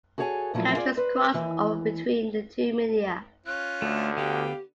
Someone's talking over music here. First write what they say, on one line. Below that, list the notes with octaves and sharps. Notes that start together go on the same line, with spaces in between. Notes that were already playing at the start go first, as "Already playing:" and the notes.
Characters cross over between the two media.
F#4 G#4 A4 C#5 F#5 G#5
A#2 F3 F#3 A3 E4
E4 F4 G#4 D5
B4 C5
D#2 E3
C#4 F4 F#6
D2 A3
D3 B3 G4 F5 G5